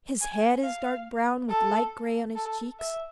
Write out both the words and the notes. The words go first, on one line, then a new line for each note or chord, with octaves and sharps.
His head is dark brown with light gray on his cheeks.
G#5
F5
A4
A4
E5